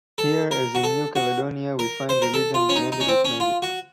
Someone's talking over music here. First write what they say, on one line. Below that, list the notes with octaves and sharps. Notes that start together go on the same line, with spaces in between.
Here, as in New Caledonia, we find religion blended with magic.
A4
A#4
F#4
A4
F#4
A#4
C5
A#4
A4
F4
C#4
D#4
D#4
C#4
C4
C#4
F4
F#4